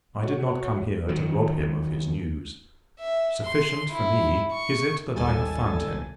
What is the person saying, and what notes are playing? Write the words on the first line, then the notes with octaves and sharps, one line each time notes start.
I did not come here to rob him of his news. Sufficient for me is it that I have found him.
F#4 C#5
D#3 F#3
E5
C6
E4
C#6
G#1 D#2 G3 A4 G#5 A6